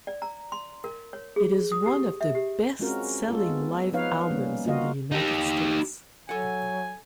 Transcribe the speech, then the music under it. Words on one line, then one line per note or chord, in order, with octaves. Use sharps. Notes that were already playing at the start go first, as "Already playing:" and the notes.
It is one of the best-selling live albums in the United States.
D5
A#5
C6
A#4
C#5
G#4
D#6
G4
E5
G4
G#3 C4 C#4 F4 F#4 A#4
G#3 F4 A4
B3
F3 B3 D#4 B4 C#5 F5
G3 A#3 C#4
A#3 F4 F#4 D#5 F5
D#4 G4
F#3 A4 F#5 G#5